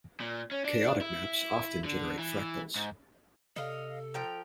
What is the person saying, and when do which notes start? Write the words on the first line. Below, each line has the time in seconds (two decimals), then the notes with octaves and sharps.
Chaotic maps often generate fractals.
0.20 A#2
0.51 C#4
0.65 D4
1.01 E4
1.85 D3
2.18 E3
2.76 G#2
3.56 C3 A4 D#5 F5
4.14 F3 G5 A#5